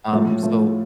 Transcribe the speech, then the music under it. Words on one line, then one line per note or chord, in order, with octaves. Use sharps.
um, so
A2 F3 A3
A2 F3 A3